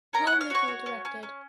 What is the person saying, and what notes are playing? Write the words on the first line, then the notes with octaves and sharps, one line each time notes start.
Paul Nickell directed.
C#4 A#4 A#5
F#5 F#6
C#4
F5 F6
F#4 C#5 C#6
F#4
C#4
C#4
C#4